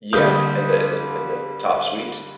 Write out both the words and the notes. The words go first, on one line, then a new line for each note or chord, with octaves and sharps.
Yeah, in the in the in the top suite,
D3 G3 A#3 D#6 G6